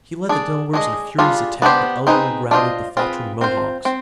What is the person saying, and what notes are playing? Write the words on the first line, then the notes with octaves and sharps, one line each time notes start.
He led the Delawares in a furious attack that utterly routed the faltering Mohawks.
D4 G#4 D5
G#3 D4 G#4 C5 D#5
G3 D4 F4 G#4
B3 D4 G4 C5
C4 D#4 G#4 B4
D4 F4 G#4 C5 D#5
C4 F4 G#4 B4
C4 F4 C5
C4